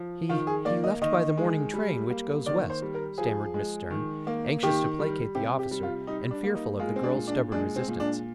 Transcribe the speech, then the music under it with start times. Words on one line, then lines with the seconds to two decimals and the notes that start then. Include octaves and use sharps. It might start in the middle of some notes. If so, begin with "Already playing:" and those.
"He--he left by the morning train, which goes west," stammered Miss Stearne, anxious to placate the officer and fearful of the girl's stubborn resistance.
Already playing: F3
0.29 D#3 F4
0.47 G#4
0.65 A#3 D5
0.84 D#5
1.01 D#3 D#5
1.38 G#3
1.74 G3
2.10 A#3
2.46 D#3 D5
2.70 C5
2.82 G3
2.94 A#4
3.18 F3 G#4
3.54 G#3
3.90 D#3
4.27 A#3
4.63 D#3 G4
4.99 G3
5.35 C3 G4
5.59 G4
5.71 G3
5.83 F4
6.07 G3 D#4
6.31 D4
6.44 A#3
6.55 D#4
6.79 G#3 F4
6.96 C4
7.03 D4
7.16 A#2
7.27 D4
7.52 G#3 D4
7.76 C4
7.88 A#2
8.00 D4